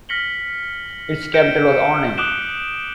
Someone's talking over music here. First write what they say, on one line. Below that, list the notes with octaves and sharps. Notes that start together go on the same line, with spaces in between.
Its capital was Arnhem.
F6 A#6 B6 C#7 F#7 G7
G6 C#7 D7 E7 G7
D6 D#6 F#6 D7 E7 G7